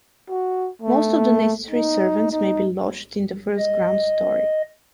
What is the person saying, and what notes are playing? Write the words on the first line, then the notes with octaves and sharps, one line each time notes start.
Most of the necessary servants may be lodged in the first ground story.
F#4
A3
D#4
D#4
D#5